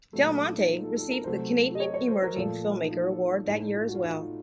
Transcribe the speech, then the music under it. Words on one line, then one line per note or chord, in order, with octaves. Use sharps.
Del Monte received the Canadian Emerging Filmmaker award that year as well.
A#2 F#3 A3
D#4
F4
A4
A4
A#4
C3 F#3 A3 C5
D#5
C#5
C#5
C5
A#4
A#2 F3 A3 A4
D#4
F4
A2 A3 D#4
F4
F#4
F4
D#4